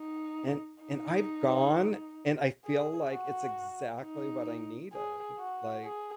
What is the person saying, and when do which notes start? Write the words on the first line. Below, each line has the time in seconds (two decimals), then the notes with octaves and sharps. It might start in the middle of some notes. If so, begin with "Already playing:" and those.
and and I've gone, and I feel, like, it's exactly what I needed, like,
Already playing: D#4
0.84 D#4
2.65 G#4
3.11 F#4
4.02 D#4
4.93 G#4
5.38 F#4
5.84 G#4